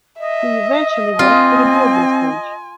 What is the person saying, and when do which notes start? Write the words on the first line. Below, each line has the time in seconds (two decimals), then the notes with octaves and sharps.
He eventually worked for the Broadway stage.
0.19 D#5 E5
1.19 C4 F4 G#5